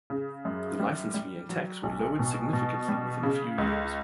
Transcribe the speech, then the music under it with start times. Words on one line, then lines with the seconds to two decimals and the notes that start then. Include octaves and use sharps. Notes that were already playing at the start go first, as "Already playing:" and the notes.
The license fee and tax were lowered significantly within a few years.
0.10 C#3
0.45 F#2
0.79 G3
1.14 G3
1.49 F#3
1.83 B1
2.19 B2
2.53 B2
2.88 G3
3.23 C#3
3.58 C#2